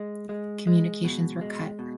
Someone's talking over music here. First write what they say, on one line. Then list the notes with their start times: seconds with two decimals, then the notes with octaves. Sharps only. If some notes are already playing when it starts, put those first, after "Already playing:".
Communications were cut.
Already playing: G#3
0.29 G#3
0.67 G#3
1.04 B2
1.41 G#3
1.79 B2